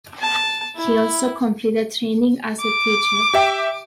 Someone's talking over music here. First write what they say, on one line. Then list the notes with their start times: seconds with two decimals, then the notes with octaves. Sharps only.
He also completed training as a teacher.
0.21 A5
0.76 E4
2.60 D6
3.34 G4 E5 G5